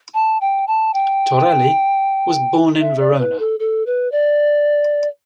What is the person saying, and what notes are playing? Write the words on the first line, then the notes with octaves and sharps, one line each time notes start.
Torelli was born in Verona.
A5
G5
A5
G5
E5
D5
B4
A4
A4
B4
D5